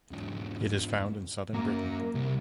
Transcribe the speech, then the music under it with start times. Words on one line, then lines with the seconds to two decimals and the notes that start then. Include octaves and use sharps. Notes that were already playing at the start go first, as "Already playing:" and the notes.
It is found in southern Britain.
0.11 E2 G#2
1.54 F#2 F#3 A#3
2.15 C2